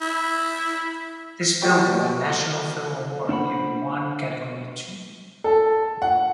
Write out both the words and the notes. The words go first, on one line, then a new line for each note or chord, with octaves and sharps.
This film won National Film Award in one category too.
E4
F#3 G4 D5 G5
D4 C5 F#5 B5
A4
F#5